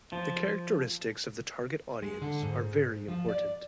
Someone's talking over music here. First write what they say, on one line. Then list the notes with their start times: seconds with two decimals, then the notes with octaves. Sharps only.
The characteristics of the target audience are very important.
0.12 F3
2.02 G#3
2.22 D3
2.43 G#2
3.08 F3
3.29 D5